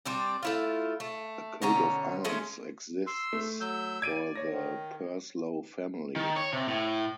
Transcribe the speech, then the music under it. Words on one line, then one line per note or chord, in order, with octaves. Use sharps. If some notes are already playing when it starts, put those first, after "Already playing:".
A coat of arms exists for the Purslow family.
G3 C4 D4
A3 E4 F4
A3
B2 D3 C#4 A#5
G#3 A3 C#4
C6 E6
A3
F#3 E6 G6
D5 G#6 D7 D#7
C#5 A#6
D#3
D#3
C#5
C3
A2